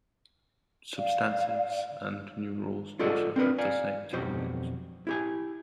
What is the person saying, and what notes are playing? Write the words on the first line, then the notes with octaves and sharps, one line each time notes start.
Substantives and numerals also have the same two moods.
D5 F5
F4 F#4 A4 D5 D#5 F#5
C4 D4 A#4 B4
D5 F5 G#5
B1 F2 F#4 G4 C5
E4 G4 G#5